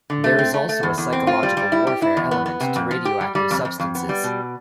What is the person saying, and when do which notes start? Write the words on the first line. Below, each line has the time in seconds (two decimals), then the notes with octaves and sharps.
There is also a psychological warfare element to radioactive substances.
0.10 D3
0.24 A3
0.39 C4
0.54 A3
0.69 A3
0.83 E2
0.98 E2
1.13 C4
1.27 F4
1.43 G3
1.57 G3
1.72 E4
1.87 G4
2.02 E4
2.17 E2
2.31 B3
2.46 B3
2.60 C3
2.76 F2
2.91 F3
3.05 G4
3.21 G3
3.35 G3
3.51 F2
3.65 F2
3.80 F2
3.95 B3
4.09 G3
4.24 B2